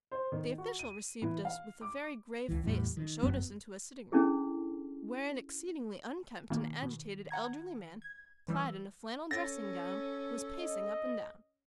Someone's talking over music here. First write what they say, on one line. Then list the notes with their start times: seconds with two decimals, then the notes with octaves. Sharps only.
The official received us with a very grave face and showed us into a sitting-room, where an exceedingly unkempt and agitated elderly man, clad in a flannel dressing-gown, was pacing up and down.
0.12 C5
0.32 D#3
0.58 F#4
0.79 D#7
1.22 E3
1.45 F5
1.81 D6
2.48 C#2 E3
2.64 E2 A2 G3
2.97 D#3
3.22 G1 F#2 F#3 B3
4.12 C#4 D4 E4 G#4 A4
6.50 B2 D#3 A#3
6.83 B2
7.31 F#5 A#5 G#6
8.02 G#6
8.48 E3 G3 E6
9.31 C#4 A4 A6 A#6
10.57 D#5